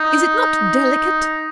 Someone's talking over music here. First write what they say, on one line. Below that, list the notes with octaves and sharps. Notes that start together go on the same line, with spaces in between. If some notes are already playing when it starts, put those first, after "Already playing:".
Is it not delicate?
Already playing: D#4